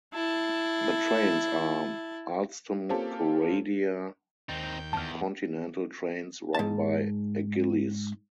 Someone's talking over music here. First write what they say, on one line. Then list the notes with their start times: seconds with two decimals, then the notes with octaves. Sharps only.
The trains are Alstom Coradia Continental trains run by Agilis.
0.14 E4 A5
2.89 A#3 C4 C#4 F4 G4 A4
4.49 D#2 C4 D#4 G5 A6 A#6
4.93 E2 G2 A5 F6
6.55 G#2 A5